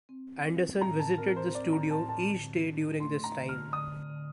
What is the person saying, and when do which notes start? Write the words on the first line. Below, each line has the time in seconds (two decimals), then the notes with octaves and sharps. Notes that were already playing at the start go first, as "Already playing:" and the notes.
Anderson visited the studio each day during this time.
0.09 C4
0.45 C4
0.81 A2 A#5
1.00 A5
1.18 C4 A#4
1.36 C5
1.55 C4 D5
1.73 A#5
1.91 A2 A5
2.09 A5
2.27 D3
2.63 D4
3.00 A3 C6
3.24 A#5
3.36 D3
3.49 F6
3.73 D3 D#6
4.10 D3